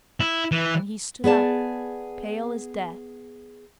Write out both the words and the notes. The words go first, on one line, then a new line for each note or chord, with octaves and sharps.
And he stood up, pale as death.
E4
E3
B3 G#4 D5 A5